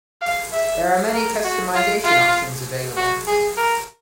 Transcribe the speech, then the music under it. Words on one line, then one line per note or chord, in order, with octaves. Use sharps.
There are many customization options available.
F5
E5
A#4
F#4
F4
F4
F#4
G#4
A#4